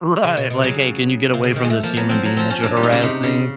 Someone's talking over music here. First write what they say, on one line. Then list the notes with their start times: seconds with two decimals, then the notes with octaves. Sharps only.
Right, like, "Hey, can you get away from this human being that you're harassing?"
0.24 C#3
0.37 B2
0.50 B2
0.63 C#3 F#3
1.34 C3
1.44 C#3
1.56 D#3
1.64 G#3
1.70 A3
1.83 F3 A#3
1.97 F#3 B3
2.09 F3 C4
2.25 F#3
2.37 F3 C4
2.50 C#4
2.63 F#3 D4
2.77 G3
2.83 D#4
2.90 C#3 D4
3.02 C3 D#4
3.23 C#3